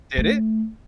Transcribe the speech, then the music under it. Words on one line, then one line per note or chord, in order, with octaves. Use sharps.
Did it?
A3